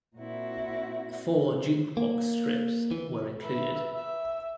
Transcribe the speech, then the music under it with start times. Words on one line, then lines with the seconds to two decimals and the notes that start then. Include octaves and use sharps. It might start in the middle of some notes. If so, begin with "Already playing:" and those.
Four jukebox strips were included.
0.18 A#2 C4 E4 F#4
1.97 A#3
2.91 E3
3.41 B4 E5
3.95 E5